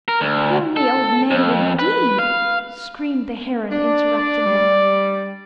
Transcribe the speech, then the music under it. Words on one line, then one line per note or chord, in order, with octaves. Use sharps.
"Lonely old maid, indeed!" screamed the Heron interrupting him.
A#4
D2
A4
F2
B4
F5
D4 D5
G3